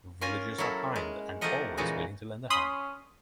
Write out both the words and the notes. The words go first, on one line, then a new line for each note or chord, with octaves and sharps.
Villagers are kind and always willing to lend a hand.
A#3 C#4 F4 A#4 G#5
F#3 A#3 E4 A4
G#3
F3 A3 G4 A#4 D#5 F#5
A#2 C#3 E3 G#3 D#4 F#4
C#4 B5 C6 D#6